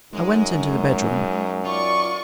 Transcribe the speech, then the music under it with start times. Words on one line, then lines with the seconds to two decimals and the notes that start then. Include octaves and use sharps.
I went into the bedroom.
0.13 F#2 G#3 D#4
1.65 F4 D5 C#6